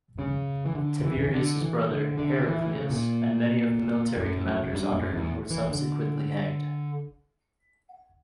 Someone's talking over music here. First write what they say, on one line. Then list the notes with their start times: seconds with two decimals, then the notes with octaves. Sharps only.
Tiberius's brother, Heraclius, and many of the military commanders under him were subsequently hanged.
0.19 C#3
0.66 E3
0.75 D3
1.04 E3
1.19 E3
1.33 D3
1.62 E3
1.90 D3
2.18 D3
2.47 E3
2.61 E3
2.75 C#3
2.90 A#2
4.17 F#2
4.47 F#2
4.74 G2
4.93 F#2
5.13 E2
5.50 E3
5.70 D3